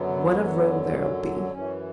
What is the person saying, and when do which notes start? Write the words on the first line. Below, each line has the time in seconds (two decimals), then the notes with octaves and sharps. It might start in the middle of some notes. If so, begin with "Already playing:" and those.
What a row there'll be!
Already playing: F#2 D3 F#3 B3
1.51 F#2 E3 C#4